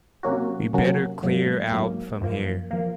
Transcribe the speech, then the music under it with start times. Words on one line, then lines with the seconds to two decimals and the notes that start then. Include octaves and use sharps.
We'd better clear out from here!
0.23 C3 F#3 A#3 C#4 F#4
0.73 C3 F#3 A#3 C#4 F#4
1.23 G#2 F#3 A#3
1.72 G#2 F#3 A#3
2.21 F#2 F3 A#3
2.71 F3 A#3